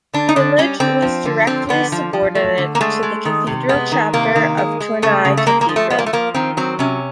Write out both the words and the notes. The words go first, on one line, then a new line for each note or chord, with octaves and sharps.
The village was directly subordinate to the cathedral chapter of Tournai Cathedral.
D3 D4
D#4
D3 D4
G3 C#4
D3 C4
F3
D3
F3 C4
D3 B3
F3
F3
A3
D3
A#3
G#3 A3
G#3
D#3
C3
G#3 B3
D#3
C3 A#3
D#3
G#3
G#3
C#3 A3
C#3
A3
G#3 A#3
A#3
F3
A3
G#3 B3
A#3
A3
F3 A#3
D#3 C4
F#3 C4
C3 C#4